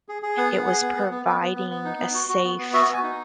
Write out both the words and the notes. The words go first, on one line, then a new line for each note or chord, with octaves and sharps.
it was providing a safe
G#4
G#4
B3 F#5
G#4
G#4
B3
B3
B3
B3
B3
B3
B3
D#4
B3
F#4
F#4
B3
B3
F#4 E5
B3 G#5
D#4